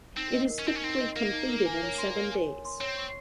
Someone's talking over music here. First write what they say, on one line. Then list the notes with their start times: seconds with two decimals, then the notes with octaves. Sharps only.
It is typically completed in seven days.
0.17 C4 D#4
0.34 D#5
0.50 A#4
0.59 C#4
0.67 C4 D#4
0.75 C#4
0.83 C4 D#4
1.00 D#5
1.16 A#3 A#4
1.33 D#4
1.49 A#4
1.66 G#5
1.83 C#5
1.98 C6
2.15 A#4
2.32 G#5
2.48 C#5
2.65 C6
2.80 C4 C#5
2.97 C#6